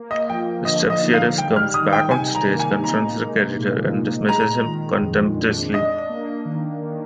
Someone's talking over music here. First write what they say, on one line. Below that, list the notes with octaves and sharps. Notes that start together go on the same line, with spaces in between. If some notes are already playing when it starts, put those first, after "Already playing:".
Strepsiades comes back on stage, confronts the creditor and dismisses him contemptuously.
Already playing: A#3
D#5
F3 G5
D3 D#5
D#5
D#4
F5
G3 G5
F6
D#3 D#6
G5
C3 G#5
A#5
A#3
G#5
D#4 A#5
G#3
A#2
A#2
G#3 A#5
D#3
F2
D4
D4 D#5
A#3
D#3
D#3